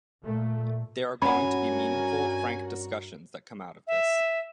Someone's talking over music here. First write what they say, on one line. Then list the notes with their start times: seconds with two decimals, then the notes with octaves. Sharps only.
There are going to be meaningful, frank discussions that come out of this.
0.22 A#2 A3
1.22 G2 C#4 F#4 A#4 F#5 G#5 B5
3.87 E5